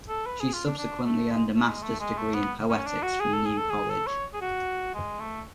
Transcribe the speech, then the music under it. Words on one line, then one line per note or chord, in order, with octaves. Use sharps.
She subsequently earned a master's degree in Poetics from New College.
A4
B4
G#4
F4
D4
D4
A3
G#3
A3
G#3
A3
G#3
A3
B3
C#4
D4
F#4
G#4
A4
G#4
A4
G#4
A4
C#5
G#4
F#4
G#3
A3